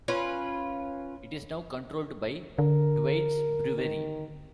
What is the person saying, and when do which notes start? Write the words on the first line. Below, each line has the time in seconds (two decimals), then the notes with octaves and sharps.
It is now controlled by Thwaites Brewery.
0.08 C#4 F4 B4
2.58 D3 A#4
3.78 D#3